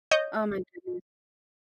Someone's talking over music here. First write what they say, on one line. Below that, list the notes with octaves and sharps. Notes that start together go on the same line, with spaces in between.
Oh my goodness.
C#5 D#5 G6